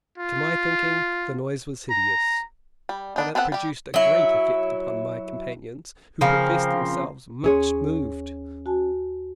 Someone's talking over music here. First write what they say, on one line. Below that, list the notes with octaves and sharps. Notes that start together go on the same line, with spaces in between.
To my thinking the noise was hideous, but it produced a great effect upon my companions, who professed themselves much moved.
F4
A#5
G3
B3 D4 D#4
B3 C4 A4 E5 F#5
G3 G4
F#3 E4
C#3 F3 A#3 C4
D#2 C#4 G#4 C#5 C6
F#4 G#5 A5